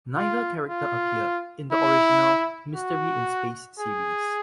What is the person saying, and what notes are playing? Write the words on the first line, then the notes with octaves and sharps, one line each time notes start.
Neither character appeared in the original "Mystery In Space" series.
F4
F4
E4
F#4
G#4